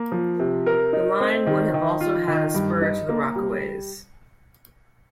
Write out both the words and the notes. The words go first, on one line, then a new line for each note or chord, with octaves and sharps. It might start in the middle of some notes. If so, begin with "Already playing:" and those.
The line would have also had a spur to the Rockaways.
Already playing: A#3
F3
C3
A#4
D#4
C4
D#3
D#3
F4
D#3
G2
D#4
A#3
G3